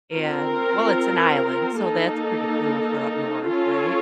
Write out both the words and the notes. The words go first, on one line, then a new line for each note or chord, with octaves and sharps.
and well, it's an island, so that's pretty cool for up north, right?
C4 F4 A#4
A#3 D#4 A4
C#4 F4 A4 C#5